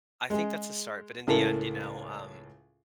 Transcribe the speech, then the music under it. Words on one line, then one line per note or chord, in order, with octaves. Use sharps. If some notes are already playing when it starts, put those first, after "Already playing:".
I think that's a start, but in the end, you know, um,
G#3 G#4
C#2 A2 A4 A#4